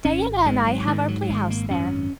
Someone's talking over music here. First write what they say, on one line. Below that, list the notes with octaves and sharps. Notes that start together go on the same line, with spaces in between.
Diana and I have our playhouse there.
G#1 C#4
G#2 G#3
F#3
G#2 D#3
F#3
F#3
G#1 G#3
A#3
F#2 C#4